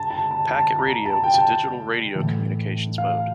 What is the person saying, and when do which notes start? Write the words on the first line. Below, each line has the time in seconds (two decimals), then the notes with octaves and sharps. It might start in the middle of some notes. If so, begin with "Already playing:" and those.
Packet radio is a digital radio communications mode.
Already playing: G2 A5
0.10 A5
0.31 A5
0.51 A5
0.79 A#5
1.06 A5
1.24 G5
1.34 A5
2.15 A2 E3
2.98 F5